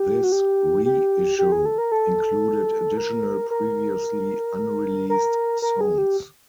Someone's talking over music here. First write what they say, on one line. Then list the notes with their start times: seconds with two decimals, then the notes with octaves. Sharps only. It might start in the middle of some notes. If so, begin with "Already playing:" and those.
This re-issue included additional previously unreleased songs.
Already playing: G4
0.24 F#4
0.32 G4
0.85 G4
1.39 G4
1.52 G#4
1.65 A4
1.78 A#4
1.92 A4
2.97 A#4
3.51 A#4
5.10 A#4
5.62 A#4
5.81 G#4
5.98 G4